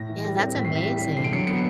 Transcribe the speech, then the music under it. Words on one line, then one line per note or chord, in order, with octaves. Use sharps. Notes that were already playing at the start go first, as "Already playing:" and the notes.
Yeah, that's amazing.
Already playing: A2 A#6
E3
G3
C4
A2 B6
C7
E3
B6
G3
C4
D3 C7
D7
F#3 C#7
B3 C#7